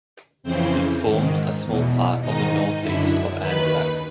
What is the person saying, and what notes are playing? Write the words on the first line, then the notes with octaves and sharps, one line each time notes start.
It forms a small part of the north-east of Ansbach.
F2 C#3 E3 C4 C5
G#2 D#3
E2 B2
G#2 D#3 D#4 D#5
F#2 D3 E4 E5
D#2 D#3 B4 B5